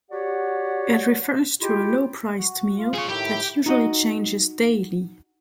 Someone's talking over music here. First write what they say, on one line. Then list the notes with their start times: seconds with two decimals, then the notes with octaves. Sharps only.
It refers to a low-priced meal that usually changes daily.
0.10 F#4 G4 C#5 D5 F#5
1.61 G#3 E4 F4 G4
2.38 F#4
2.78 F4
2.94 G#4 C#5
3.08 A2 D#3 E4 G4
3.66 D#4 F#4 D#5